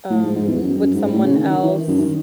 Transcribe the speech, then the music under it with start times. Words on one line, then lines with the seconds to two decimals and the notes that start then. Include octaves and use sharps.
um, with someone else,
0.10 A2
0.23 G#2
0.36 G#2
0.48 E2
0.62 F#2
0.78 F#2
0.95 G#2
1.12 A2
1.24 C#3
1.37 D#3
1.49 D#3
1.62 E3
1.74 D#3
1.88 F#2
2.00 D#3